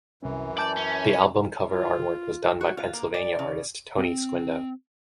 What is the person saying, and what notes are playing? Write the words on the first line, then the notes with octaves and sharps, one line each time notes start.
The album cover artwork was done by Pennsylvania artist Tony Squindo.
C2 F#2 E3 C#4
D5 E5 A5 G6
C#4
F4
F#4
F4
A#3
D5
C#3
C4